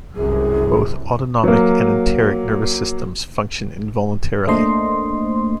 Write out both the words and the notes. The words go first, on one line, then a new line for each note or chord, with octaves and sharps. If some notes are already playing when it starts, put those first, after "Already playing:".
Both autonomic and enteric nervous systems function involuntarily.
C2 F#2 G#4
F#3 A#3
A3 A#3 D4 C5 D#5 C6